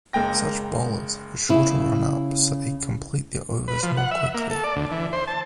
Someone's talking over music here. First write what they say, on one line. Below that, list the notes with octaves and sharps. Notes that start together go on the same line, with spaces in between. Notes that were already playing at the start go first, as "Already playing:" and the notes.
Such bowlers have a shorter run up so they complete their overs more quickly.
F#1 G#3 A#3 G5 A#6
C#3 E4
B4
F3
F#5
E5
A#3
A4
D5
D2
E3
C5
A5